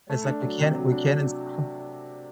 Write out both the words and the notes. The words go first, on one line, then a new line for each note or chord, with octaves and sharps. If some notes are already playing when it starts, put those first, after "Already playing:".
It's like we can't we can't install
A3
D4
F#3
C3
F#3
D4